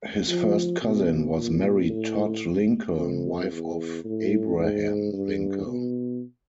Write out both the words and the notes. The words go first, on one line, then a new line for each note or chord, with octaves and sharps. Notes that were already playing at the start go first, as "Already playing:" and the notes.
His first cousin was Mary Todd Lincoln, wife of Abraham Lincoln.
F3
B2
A#2
A2
F2
E2
A2
G#2
G2
B2